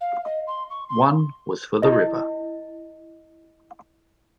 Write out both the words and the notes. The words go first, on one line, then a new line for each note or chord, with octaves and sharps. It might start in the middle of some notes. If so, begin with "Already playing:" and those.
One was for the river.
F5
D#5
C6
C#6
C6
E4 D#5